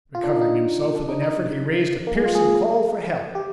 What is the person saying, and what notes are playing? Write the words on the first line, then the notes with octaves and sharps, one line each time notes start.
Recovering himself with an effort, he raised a piercing call for help.
F4
D4
D#4
D#4
D4
D#4
D#4
A#3
G#3
F4
G#4
G4